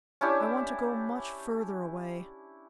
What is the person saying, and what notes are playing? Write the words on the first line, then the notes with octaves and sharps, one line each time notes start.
I want to go much further away.
C#4 D4 E4 G4